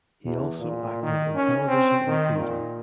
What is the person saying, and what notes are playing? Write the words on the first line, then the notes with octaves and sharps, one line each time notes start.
He also acted in television and theatre.
E2
A#2
D#3
C#4
C4
D#3
A#2